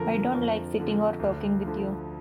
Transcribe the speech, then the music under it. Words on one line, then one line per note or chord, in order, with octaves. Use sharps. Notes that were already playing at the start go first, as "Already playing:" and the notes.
I don't like sitting or talking with you.
Already playing: F2 D3 F3 A#4
F2
D3 F3
D2
D3 F3